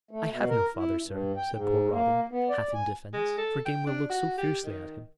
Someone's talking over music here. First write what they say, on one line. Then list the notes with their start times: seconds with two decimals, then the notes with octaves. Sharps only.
"I have no father, sir," said poor Robin, half in defense; for Gamewell looked so fiercely at him.
0.11 A3
0.31 B2
0.49 A#4
0.77 E4
1.06 G2
1.37 G5
1.52 G#2
1.91 A#3
2.31 B3
2.49 D5
2.74 G#5
3.14 G#3
3.37 A4
3.65 G5
3.87 D4
4.10 F#4
4.38 G4
4.65 D#3